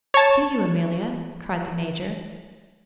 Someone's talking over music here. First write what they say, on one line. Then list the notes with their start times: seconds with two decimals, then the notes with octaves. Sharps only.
"Do you, Amelia?" cried the Major.
0.14 C#5 A5